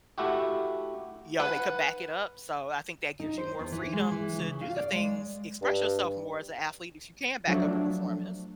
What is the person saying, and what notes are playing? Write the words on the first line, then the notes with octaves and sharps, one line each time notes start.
you know, they could back it up, so I think that gives you more freedom to do the things, express yourself more as an athlete if you can back up your performance.
A3 E4 F#4 G4
B4 F#5
D#4
C5
E2
E3
G#3
E3
C#3
F5
D5
G#3
G2
F3 F#3 A3 D4